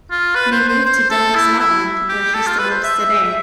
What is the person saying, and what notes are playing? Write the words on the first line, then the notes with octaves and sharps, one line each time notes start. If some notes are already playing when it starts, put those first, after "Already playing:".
They moved to Dundee, Scotland, where she still lives today.
F4
B4
C5
C5
C5
A4
E4
E4
G4
A4
F4
B4
C5
E5
E5